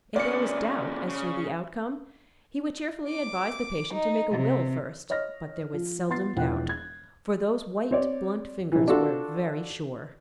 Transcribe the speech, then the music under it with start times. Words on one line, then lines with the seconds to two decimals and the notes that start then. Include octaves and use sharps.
If there was doubt as to the outcome, he would cheerfully advise the patient to make a will first, but there was seldom doubt, for those white, blunt fingers were very sure.
0.16 A#2 C#3 D5 C#7
1.08 C#3
3.08 D6
3.94 D#4
4.31 C3
5.10 C#5 D#5 F6 A#6
5.74 F3
6.09 B3 F4 C6 A6 C7
6.36 E1 E3 F3 F#5 G5 F#6
6.69 G#6
7.91 C4 C#5 D5
8.72 A#1 E3
8.88 D4 F4 F#4 A4